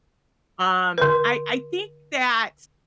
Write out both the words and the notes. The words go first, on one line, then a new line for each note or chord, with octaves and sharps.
um, I I think that
D3 B4